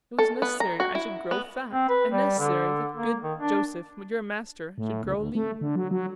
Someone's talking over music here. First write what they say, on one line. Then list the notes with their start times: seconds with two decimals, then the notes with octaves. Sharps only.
It was necessary I should grow fat, and necessary that good Joseph, your master, should grow lean.
0.19 A4
0.42 B3
0.60 A#5
0.80 F#4
0.95 E4
1.31 B3
1.72 C4
1.89 B4
2.12 G3
2.39 D3
2.96 A#3
3.23 D#3
3.39 D4
4.78 A2
5.04 C#2
5.18 D2
5.35 A3
5.61 D3
5.76 F#3
5.91 F#3